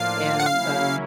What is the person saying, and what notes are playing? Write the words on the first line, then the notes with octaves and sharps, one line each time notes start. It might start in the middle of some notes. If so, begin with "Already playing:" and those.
and, um,
Already playing: A2 F3 A#3 D4 F4 F5
F#5
C#3 F#3 A#3 C#4 E4 F5